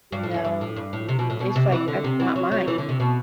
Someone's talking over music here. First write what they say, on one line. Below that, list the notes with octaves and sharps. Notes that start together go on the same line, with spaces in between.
no. Mm-mm. It's like, "That's not mine."
G2
A2
F#2
G2
A2
G2
A2
C3
B2
A2
B2
C3
E3
D3
C3
E3
F#3
F#3
E3
D3
C3
B2